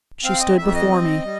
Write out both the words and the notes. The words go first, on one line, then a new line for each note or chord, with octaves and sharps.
She stood before me.
C4 F5
D#5
F2 E5
D#5
C4
G3